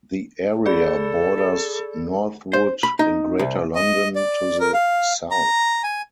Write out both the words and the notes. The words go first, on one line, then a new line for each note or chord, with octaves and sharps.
The area borders Northwood in Greater London to the south.
G#4 A4 D5 B5
C5
B5
D#4
C2
D#5
D5
A#4
F5
A#5
G#5